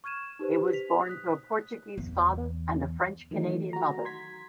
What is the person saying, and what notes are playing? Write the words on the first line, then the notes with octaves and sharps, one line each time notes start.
He was born to a Portuguese father and a French-Canadian mother.
C#6 F6 G#6 D#7 E7
D#4 G4 B4 C5
B6 F7
D#6 F#6 B6
E2
D#3 E3 F#3 A3 D#4
F#4 A#5
C6 G#6 B6